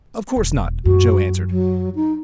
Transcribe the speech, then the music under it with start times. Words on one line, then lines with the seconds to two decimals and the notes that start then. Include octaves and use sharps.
"Of course not," Joe answered.
0.36 E1
0.85 F#2 F#4
1.49 F#3
1.95 D#4